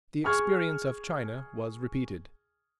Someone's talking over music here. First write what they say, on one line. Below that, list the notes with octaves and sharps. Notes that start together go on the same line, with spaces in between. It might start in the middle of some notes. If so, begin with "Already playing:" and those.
The experience of China was repeated.
G#4 C#6 F6 G#6